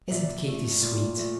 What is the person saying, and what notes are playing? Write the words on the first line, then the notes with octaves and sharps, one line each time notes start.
"Isn't Katy sweet?"
A#2 D5 E5
F3 A3
A#2
F3 A3